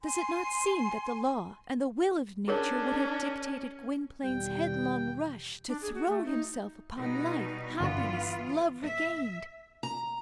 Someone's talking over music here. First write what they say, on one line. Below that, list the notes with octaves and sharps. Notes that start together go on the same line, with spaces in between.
Does it not seem that the law and the will of nature would have dictated Gwynplaine's headlong rush to throw himself upon life, happiness, love regained?
G#5 C6
C#4 D4 G#4 A#4 C#5
E2 B2 D#3 G3 G5
D4
G#4
F#4
A3
D#4
B2 G3 D#4
G1 D3 E3 B3 F4
E5
A#5